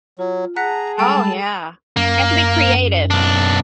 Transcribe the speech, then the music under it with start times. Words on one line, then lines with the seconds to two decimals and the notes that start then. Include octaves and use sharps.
Oh, yeah, you have to be creative.
0.19 F#3 F4
0.56 G#4 F#5 A5 A#5 F#6 B6
0.98 G3 G#3 A4 G5 A5 B5 E6
1.97 F#2 A#3
3.11 B1 D4